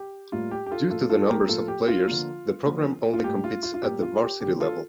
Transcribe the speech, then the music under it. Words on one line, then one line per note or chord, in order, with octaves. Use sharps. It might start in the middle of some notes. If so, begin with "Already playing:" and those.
Due to the numbers of players, the program only competes at the varsity level.
Already playing: G4
A2 G3 A#3 F4
G4
G4
F4 A4
A2 F3 A#3 F4 A4
F4 A4
G4 A#4
A2 F3 A#3 F4 A4
G4
F4
D3 F3 A#3
D3 F3 A#3
F4
A2 G3 A#3 G4
F4
F4
F4
A2 G3 A#3 G4
F4
G4
D3 G3 A#3 G4
F4 A4